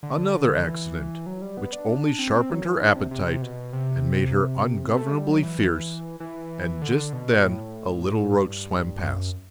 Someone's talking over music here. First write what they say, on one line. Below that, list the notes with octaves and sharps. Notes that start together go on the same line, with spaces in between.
Another accident which only sharpened her appetite and made her ungovernably fierce; and just then a little roach swam past.
D3
E3
F#3
G3
B3
D4
C4
C4
F#3
E3
D3
C3
C3
C3
B2
C3
A3
G3
F#3
E3
E3
D3
B2
A2
G2
F#2